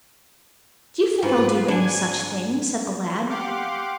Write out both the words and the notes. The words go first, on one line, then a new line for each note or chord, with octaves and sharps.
"Do you think I'll do any such thing?" said the lad.
G#2 F4 B4
D4 G#5
G4 F5 F#5 C6 D6